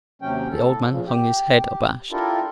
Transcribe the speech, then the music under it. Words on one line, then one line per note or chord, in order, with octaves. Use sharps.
The old man hung his head, abashed.
D#2 C3 F#3 C#4 G5
A2 A4
A#2 C#3 F3
G4
D4 E4 F4 G4 A4 A#4